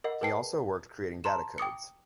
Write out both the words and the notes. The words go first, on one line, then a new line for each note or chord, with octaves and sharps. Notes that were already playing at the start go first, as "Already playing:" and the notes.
He also worked creating data codes.
A#4 D#5 F#5
G#4 A#4 B4 G5 A5 C7
A5 A#5 C6 E7
G5 D6 D#6 C#7